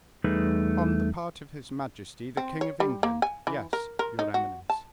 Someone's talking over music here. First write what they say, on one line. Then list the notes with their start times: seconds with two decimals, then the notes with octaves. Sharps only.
"On the part of his majesty, the king of England, yes, your eminence."
0.24 E2 G3 A3 D#4 G#4 B4
2.37 C4
2.61 C#5
2.80 G3
3.03 A#3
3.22 G#5
3.47 E3
3.73 A#4
3.99 A#4
4.19 D#4
4.34 F#4
4.70 A5